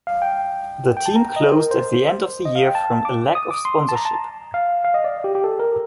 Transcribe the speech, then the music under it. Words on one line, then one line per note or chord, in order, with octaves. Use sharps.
The team closed at the end of the year from a lack of sponsorship.
F5
G5
G5
A5
A#5
G5
D#5
C5
A#4
C5
D#5
F5
G5
A5
D6
D#6
D6
C6
A5
A#5
A5
F5
F5
D#5
D5
G4
G4
A4
A#4